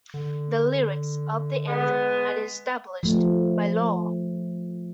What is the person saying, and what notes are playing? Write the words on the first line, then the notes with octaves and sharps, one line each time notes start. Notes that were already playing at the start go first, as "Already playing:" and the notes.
The lyrics of the anthem are established by law.
D3
G#3 B3
F3 A3